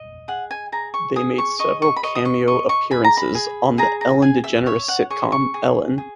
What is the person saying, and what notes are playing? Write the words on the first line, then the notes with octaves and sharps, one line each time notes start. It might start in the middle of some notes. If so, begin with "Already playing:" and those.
They made several cameo appearances on the Ellen DeGeneres sitcom "Ellen".
Already playing: D#5
G#4 F#5
G#5
G#4 A#5
C#6
G#4 D#6
C#6
D#5 C#6
C#6
B5
D#5 C#6
D#6
C#6
D#5 C#6
C#6
G#4 B5
A#5
B5
G#4
G#4 A#5
A#5
G#4 G#5
E5
C#5 E5
F#5
G#4 C#6
C#6
G#4
G#4